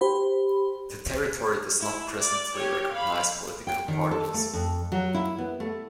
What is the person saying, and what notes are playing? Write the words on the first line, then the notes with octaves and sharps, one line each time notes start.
The territory does not presently recognize political parties.
G4 C5 B5
E4
D5
G4 C#5
F5 B5
G5
D#3
A4
A3
F2
F#3
E4
B3
A3